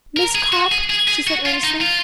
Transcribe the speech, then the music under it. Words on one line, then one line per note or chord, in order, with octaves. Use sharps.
"Miss Copp," she said earnestly.
A#4
G#4
F#4
G#4
G#4
G#4
F#4
F4
D#4
F4